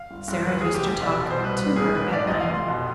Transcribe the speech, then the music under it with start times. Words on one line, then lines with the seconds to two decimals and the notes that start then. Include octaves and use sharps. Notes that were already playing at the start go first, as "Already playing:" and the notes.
Sara used to talk to her at night.
Already playing: F5
0.11 G1
0.28 G1
0.47 D#2 B4
0.61 F1 G#4
0.74 G4
0.83 F1
0.89 G4
1.02 B2 D5
1.20 B2
1.30 C5
1.39 C2
1.44 B4
1.58 G2 B4
1.76 G#1 G#4
1.95 G#1 B4
2.13 F2 D5
2.27 F1 D#5
2.40 F5
2.49 F1 C6
2.68 B2